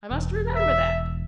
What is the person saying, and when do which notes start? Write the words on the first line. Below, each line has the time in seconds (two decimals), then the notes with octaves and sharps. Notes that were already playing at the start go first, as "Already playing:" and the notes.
I must remember that.
0.11 E1
0.55 E5